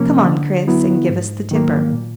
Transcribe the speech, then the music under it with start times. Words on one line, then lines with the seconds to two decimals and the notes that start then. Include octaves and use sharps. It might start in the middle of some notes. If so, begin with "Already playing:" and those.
Come on, Chris, and give us the dipper.
Already playing: C3 F3 A#3 C#4
0.25 D3
0.67 F#3 B3 E4
1.09 G#2
1.51 D#3 F#3 A#3
1.93 A#2